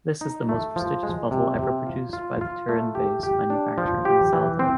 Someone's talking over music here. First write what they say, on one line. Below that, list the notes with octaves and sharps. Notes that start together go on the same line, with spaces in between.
This is the most prestigious model ever produced by the Turin-based manufacturer Ansaldo.
D#4
A3
F3
G#3
C3
C3
F4
F4
F4
A3
G4
G4
D4
F3
G4
E3
C4